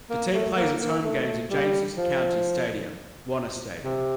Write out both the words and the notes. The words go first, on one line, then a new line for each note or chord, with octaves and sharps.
The team plays its home games in James City County Stadium-Wanner Stadium.
A#3
A3
A#3
A#3
A3
G3
F3
C3